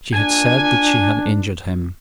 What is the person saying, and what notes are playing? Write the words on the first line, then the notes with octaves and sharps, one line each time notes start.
She had said that she had injured him.
A#2 D4 G#5